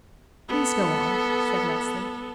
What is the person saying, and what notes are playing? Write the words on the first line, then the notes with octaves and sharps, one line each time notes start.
"Please, go on," said Leslie.
B3 A4